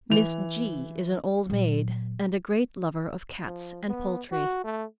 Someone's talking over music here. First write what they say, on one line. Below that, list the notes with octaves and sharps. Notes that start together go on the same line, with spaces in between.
Miss G---- is an old maid, and a great lover of cats and poultry.
E3 F7
A#2 F#3
F3
B3
F#4
A3